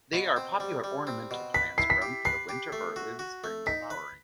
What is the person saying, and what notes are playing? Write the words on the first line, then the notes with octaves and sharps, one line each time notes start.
They are popular ornamental plants grown for their winter or early spring flowering.
B2
C4
G3
G3
C4
B2
B4 B6
E4 C7
B6
G4
B4 C7
G4
A3
F#4
F#4
A3
D#4 B6
B4